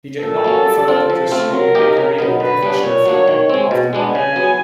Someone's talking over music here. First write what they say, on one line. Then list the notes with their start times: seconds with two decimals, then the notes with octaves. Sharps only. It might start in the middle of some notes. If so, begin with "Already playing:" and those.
He did not further pursue a career in professional football afterward.
0.23 A#2 A4
0.44 F#3 A#3 C#4
0.67 G3
0.88 C4 F4
1.10 F3
1.31 A3 C4 F4
1.54 F#3 A#4
1.75 A#3 D#4 G4
1.97 C#3
2.19 F#3 B3 D#4
2.40 D3 B4
2.63 G3 B3 D4
2.83 A#2 C#5
3.06 F#3 A#3 D4
3.28 D#3
3.49 G#3 C4
3.71 B2
3.93 G#3 B3 D4
4.15 C#3 G#5
4.36 F#3 B3